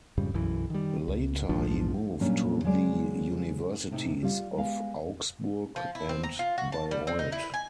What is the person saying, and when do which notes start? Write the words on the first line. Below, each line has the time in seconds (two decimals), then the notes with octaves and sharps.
Later he moved to the Universities of Augsburg and Bayreuth.
0.17 F2 G#2 C#3 G3
0.34 B1 F#2 E3
0.70 D#3 G3
1.08 C#2
1.49 A#1 G#2 F3 D4
2.21 A#2 F#3 G3 A#3 C#4 D4
2.64 C#3 F#3 G#3 D5
3.91 A2 C3 D#4
4.22 G3 F4
4.57 G#3 B3 F5
5.76 F3
5.95 E4
6.09 C4
6.23 A#5
6.39 F4
6.58 F#4
6.72 A5
6.91 G3
7.07 C4
7.19 D#4
7.32 E4
7.54 G#5